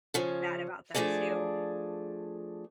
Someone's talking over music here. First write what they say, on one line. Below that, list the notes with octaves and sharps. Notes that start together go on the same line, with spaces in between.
bad about that too,
C#3 F3 C#4
F3 A3 D4 G#4 D5